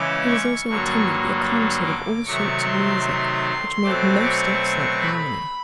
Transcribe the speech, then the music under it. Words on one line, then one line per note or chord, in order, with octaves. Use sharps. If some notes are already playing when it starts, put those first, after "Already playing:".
He was also attended with a concert of all sorts of music, which made most excellent harmony.
Already playing: C#3 E3 G#3 C#4 D6
C#6
G2 D3 F#3 A#3 C#6
D6
C3 D#3 F#3 A3 C#6
C6
B2 F#3 A3 C4 D6
C#6
B5